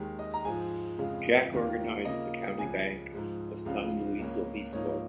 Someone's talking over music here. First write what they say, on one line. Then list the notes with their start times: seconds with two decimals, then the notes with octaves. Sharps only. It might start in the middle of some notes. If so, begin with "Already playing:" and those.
Jack organized the County Bank of San Luis Obispo.
Already playing: D#2 D#3 G#3
0.19 D#5
0.34 A#5
0.45 G#2 F3 G#3 G#5
0.98 F2 C#3 G#3 F4
1.52 D#2 D#3 A#3 F4
2.05 C#3 A#3 F4 D#5
2.58 C#2 C#3 F3 G#5
3.12 G#2 F3 G#3
3.66 C#2 C#3 F3 F5
4.19 C#2 C#3 A#3 C#4
4.73 G#2 F3 A#3 D#4 C#5